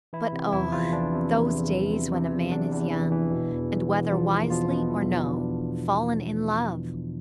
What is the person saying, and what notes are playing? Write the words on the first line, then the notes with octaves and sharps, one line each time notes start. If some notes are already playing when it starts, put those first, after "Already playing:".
But, oh! those days when a man is young, and, whether wisely or no, fallen in love!
E3 E4
C3
E2 E4
E2 F3 F4
E3 D4
C3
E2
E2
E2
C3
C3
E2
E2 D4
E2
E3
E3
B2
E2
E2
E2
E2 F3 F4
E2
B2 F3 F4
B2
E2 E4
D4